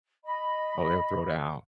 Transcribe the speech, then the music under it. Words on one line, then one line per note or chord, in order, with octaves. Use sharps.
Oh, they'll throw down.
D#5 B5